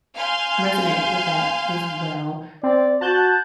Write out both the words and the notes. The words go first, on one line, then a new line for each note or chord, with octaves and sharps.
resonate with that as well.
F5 G#5 C6 F6 G6
C4 D5
F#4 A5 F#6 G6